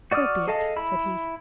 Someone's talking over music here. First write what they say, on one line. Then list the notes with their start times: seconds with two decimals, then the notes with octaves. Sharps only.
"So be it," said he.
0.11 F#4 D5 D6 D#6 F6
0.48 G#4 A4 D#5 F5 A5
0.76 E4 B5